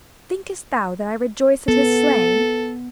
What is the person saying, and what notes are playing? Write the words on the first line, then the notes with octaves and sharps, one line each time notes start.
Thinkest thou that I rejoice at his slaying?
B3 A4